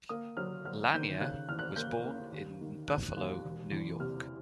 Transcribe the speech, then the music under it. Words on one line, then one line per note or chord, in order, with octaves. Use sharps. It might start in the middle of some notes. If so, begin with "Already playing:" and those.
Lanier was born in Buffalo, New York.
A#3 D#6
F#3 F6
F#3 F6
D#3 G6
C#3 F#6
E2 F6
F#6
A#3 G6
A#3
D#2
D#3
E1 F#6
D#2
E1
E2
C3 F6